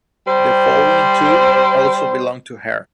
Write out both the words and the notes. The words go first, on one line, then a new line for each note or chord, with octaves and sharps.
The following two also belong to her.
G3 C5